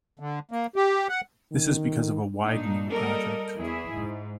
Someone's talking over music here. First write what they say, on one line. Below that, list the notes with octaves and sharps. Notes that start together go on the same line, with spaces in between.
This is because of a widening project.
D3
A#3
G4
F#5
D#3
A#2 D4 D#4
G3 A#3 A4 A#4 D#5
E2 E4 G#4 E5
G#2